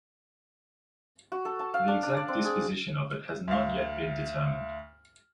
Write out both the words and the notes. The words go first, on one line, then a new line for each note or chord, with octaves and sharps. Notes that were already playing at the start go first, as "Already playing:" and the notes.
The exact disposition of it has not yet been determined.
F#4
A4
A5
F5
D4
D4
D5
C4
G#4
D2 F5